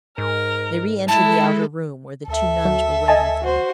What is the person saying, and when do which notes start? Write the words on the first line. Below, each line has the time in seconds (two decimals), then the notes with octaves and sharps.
They re-entered the outer room, where the two nuns were waiting for them.
0.18 G#2 A#4
1.08 G#3 E4 A4 A5
2.28 D2 A4 E5
2.65 F#3
3.08 D#5 G#5 A5
3.43 F#4 C5